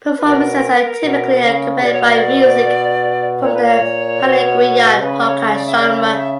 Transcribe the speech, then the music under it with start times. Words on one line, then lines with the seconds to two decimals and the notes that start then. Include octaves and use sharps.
Performances are typically accompanied by music from the Paraguayan polka genre.
0.18 B4
0.25 B2 A#4
1.04 B2
1.44 C#3
1.83 B2 D5
1.93 C#5
2.02 D5
3.42 A#2 C#5
3.54 B4
3.64 C#5
3.82 A#2
4.22 B2
5.00 C#3 B4
5.20 D5
5.27 C#5
5.53 D5
5.66 E5
5.78 C#3 D5
5.91 E5
6.03 D5
6.16 E5